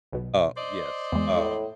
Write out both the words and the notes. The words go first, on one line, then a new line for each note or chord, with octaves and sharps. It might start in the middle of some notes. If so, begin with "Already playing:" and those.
Uh, yes, um,
B1 B2
C5 D5 D#5
E2 G#3
A2